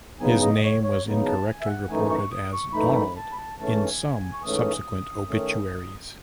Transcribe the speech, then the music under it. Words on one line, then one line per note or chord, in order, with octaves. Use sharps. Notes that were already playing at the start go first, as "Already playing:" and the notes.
His name was incorrectly reported as "Donald" in some subsequent obituaries.
E2 C#3 F#3 B3 D#4 G#5
D#5
C#5
C#5
E2 C#3 F#3 B3 D#4
A5
G#5
E5
F#5
F#2 E3 A3 D#4 G#5
C#6
D#6
C#6
F#2 E3 A3 D#4 B5
B5
A5
B5
A5
G#2 E3 A3 C#4 A5
G#5
G#5
C#6
G#2 E3 A3 C#4 D#6
D#3 A3 C#4